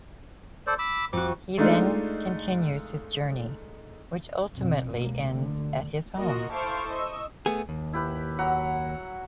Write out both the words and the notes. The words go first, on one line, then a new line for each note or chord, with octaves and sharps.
He then continues his journey, which ultimately ends at his home.
A4 C5 D5
B5 D6 E6
F2 F#4 D6
G#3 A3 D4 D#4 F4
F2 B2
C#2 B2 A#3
D2 D3
A#3 F4 F#4 A#4 D#5
E4 A4 C5 F5 C#6 D6
D#5 C#6 E6
A3 B3 G#4
D#2
E4 G4 B4
F#3 F#5 A#5